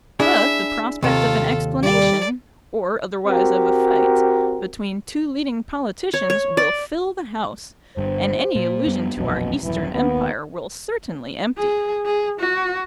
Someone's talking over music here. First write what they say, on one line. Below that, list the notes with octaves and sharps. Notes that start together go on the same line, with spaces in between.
But the prospect of an explanation,--or otherwise of a fight,--between two leading politicians will fill the House; and any allusion to our Eastern Empire will certainly empty it.
D4 E4 G#4 E5
D#2 C3 F4 A4
G3 D5
C4 F#4 G4 A#4
C#5
C#5
D5
G1 G2 C5
A#2
F#2 G3 B3
E1 A#1 F#2 B2
D#1 F#2 E3
D#2 B3
G#4
G#4
F#4